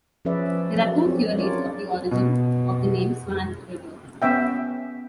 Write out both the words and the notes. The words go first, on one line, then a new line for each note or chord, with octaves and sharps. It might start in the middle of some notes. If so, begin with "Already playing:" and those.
There are two theories of the origin of the name "Swan River".
F3 C#4 G#4 B4 D5 E5
F#3
C4 G#4 D5
C#4 D4 F4 A#4 C#5 D5
B2
B3 C#4 E5 G5